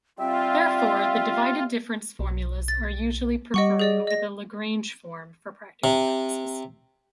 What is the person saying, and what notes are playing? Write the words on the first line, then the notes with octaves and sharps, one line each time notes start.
Therefore the divided-difference formulas are usually preferred over the Lagrange form for practical purposes.
G3 C4 F4 E5 G5
B1
A6
G3 G4 D#5 F#5 C#6
G#4 D5 D#5
D#5 A#6
C3